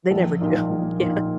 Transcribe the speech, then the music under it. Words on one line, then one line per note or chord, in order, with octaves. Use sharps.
They never do, yeah.
A#1
A#2 A#3 D#4
A#1
A#2 A#3 D#4